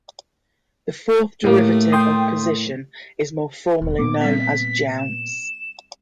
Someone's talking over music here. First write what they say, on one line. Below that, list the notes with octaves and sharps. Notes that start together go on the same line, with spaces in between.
The fourth derivative of position is more formally known as jounce.
A2 A3 A#3 G4
G5 C6 D#6
E1
A#2 A#3 B3 D6
G3 C4 B6
E7